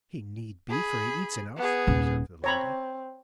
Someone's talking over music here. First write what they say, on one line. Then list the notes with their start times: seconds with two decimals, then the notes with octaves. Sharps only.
'He need be, for he eats enough,' observed the lady.
0.69 G#4 B5
1.56 B3 G#4
1.87 D#1
2.44 C4 C#5 A#5 B5